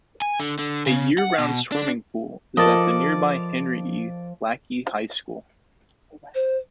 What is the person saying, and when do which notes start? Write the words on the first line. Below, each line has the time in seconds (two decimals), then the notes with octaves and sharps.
A year-round swimming pool is at the nearby Henry E. Lackey High School.
0.22 G#5
0.40 D3
0.59 D3
0.87 C#3
1.18 F#5
1.38 B2
1.72 D4
2.57 F3 A4 A#4 D5 D#5 A5
6.35 C5